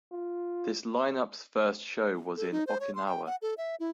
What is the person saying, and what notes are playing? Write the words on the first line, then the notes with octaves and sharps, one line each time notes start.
This lineup's first show was in Okinawa.
F4
A4
D#4
C5
C#5
C6
G5
F#5
A4
E5
E4